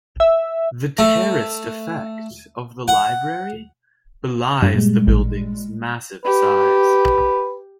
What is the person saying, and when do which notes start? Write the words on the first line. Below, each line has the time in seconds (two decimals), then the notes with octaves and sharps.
The terraced effect of the library belies the building's massive size.
0.20 E5
0.99 A3
2.88 F#5
4.62 G2
4.74 A#2 G3 G#3
5.07 A1
6.25 G4 B4